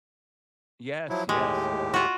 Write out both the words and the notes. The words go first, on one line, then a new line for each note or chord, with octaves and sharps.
Yes, yes, yes.
F3 F#3 E4
D#2 A2 G#3 G4
F4 F#4